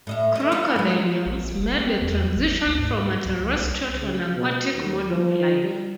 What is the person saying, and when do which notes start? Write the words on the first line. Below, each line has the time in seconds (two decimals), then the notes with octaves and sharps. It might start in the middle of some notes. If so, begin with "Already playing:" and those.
Crocodilians made the transition from a terrestrial to an aquatic mode of life.
0.07 A2 D#5 E5
0.36 D#5 E5
0.52 B3 D#4 F4
0.76 F#3 G#3
1.26 A#1
1.43 A#1
1.57 F1
1.86 C4
2.01 E2
2.36 G#1
2.66 D2
2.79 G#2
3.26 C#2
3.59 C2
3.99 C#3
4.35 B2
4.75 D#2
5.08 F3
5.60 G3